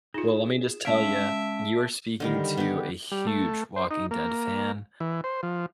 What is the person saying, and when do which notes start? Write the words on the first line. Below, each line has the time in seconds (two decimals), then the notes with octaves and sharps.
Well, let me just tell you, you are speaking to a huge Walking Dead fan.
0.14 D#4 F4 G#4 E7
0.85 G#3 C#4 E5 F5 A5 B6 D7
2.20 D3 D#3 G3 A#4
2.58 B3 G4
3.12 G3
3.27 A3
3.76 C5
3.91 D#4
4.11 A#3
5.00 E3
5.24 C5
5.43 F3